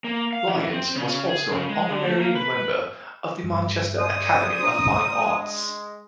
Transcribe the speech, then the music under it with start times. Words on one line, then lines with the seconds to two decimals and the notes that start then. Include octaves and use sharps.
Lyons was also an Honorary member of the Manchester Academy of Fine Arts.
0.04 A#3
0.33 F5
0.47 E3
0.73 C4
0.95 C#3
1.29 G#4
1.51 C#3
1.69 G#3
1.91 D3
2.04 A3
2.19 A#3
2.35 B4
3.44 G2
3.99 C5 D5 G#5 D#6
4.63 D4 C5 A#5
5.18 G#3